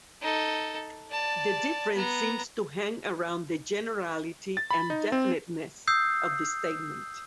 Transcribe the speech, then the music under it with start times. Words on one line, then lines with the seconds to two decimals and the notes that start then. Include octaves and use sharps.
The difference seems to hang around the generality and definiteness of the statement.
0.22 D#4 A4
1.11 D5 A5
1.94 B3 A#5
4.57 A6
4.71 B5
4.90 D#4
5.12 C4
5.88 D#6 E6 G6 C7